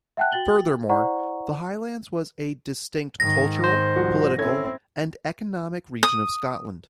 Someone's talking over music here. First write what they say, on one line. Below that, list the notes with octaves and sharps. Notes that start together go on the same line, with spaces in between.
Furthermore, the Highlands was a distinct cultural, political and economic region of Scotland.
E5 F#5 G5 A5 F#6
F#4 G5 A6 F#7 G7
E4 C5 D5 F#5 A#5 C#6
G#2 D#3 A#6
C5
C2 F3 F#4
C4 C#4 E4 A4 G#6
D#6